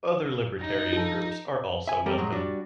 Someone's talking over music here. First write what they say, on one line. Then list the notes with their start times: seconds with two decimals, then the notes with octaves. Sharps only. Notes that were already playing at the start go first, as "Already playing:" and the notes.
Other libertarian groups are also welcome.
0.61 D#4 A#6
0.93 F3 A4
1.87 E5 G#5
2.06 E2 G3 C4 G4 A4 A#4
2.18 A2 F#3 G#3
2.32 G3 D4 F#4